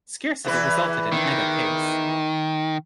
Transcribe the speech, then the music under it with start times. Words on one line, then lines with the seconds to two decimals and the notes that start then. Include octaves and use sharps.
Scarcity resulted in either case.
0.44 E2 E3 B4
1.12 D#3